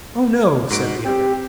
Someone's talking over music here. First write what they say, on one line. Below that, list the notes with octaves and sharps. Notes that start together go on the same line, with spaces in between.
"Oh no," said the other.
G#2 F#4 D7
C4 G4